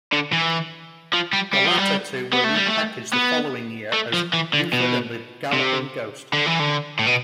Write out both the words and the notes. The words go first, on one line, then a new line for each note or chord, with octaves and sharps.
The latter two were repackaged the following year as "Buford and the Galloping Ghost".
D3
E3
F3
G3
G3
F3
G3
B3
A3
G3
A3
B3
A3
F3
E3
D3
B2
C3
D3
E3
D3
A2
B2